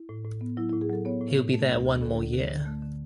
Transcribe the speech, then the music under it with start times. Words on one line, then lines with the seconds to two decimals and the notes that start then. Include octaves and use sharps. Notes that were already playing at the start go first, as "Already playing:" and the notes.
He'll be there one more year.
Already playing: E4
0.09 A2
0.24 A2
0.41 B3
0.57 F#3 E4
0.69 A2 E4
0.81 G#4
0.89 F#3 A4
1.05 B3 C#5
1.21 A2
1.37 A2
1.53 A3
1.69 D2
1.86 D2
2.01 D3 A4
2.18 D2
2.34 D3
2.49 D3
2.66 A3
2.82 D3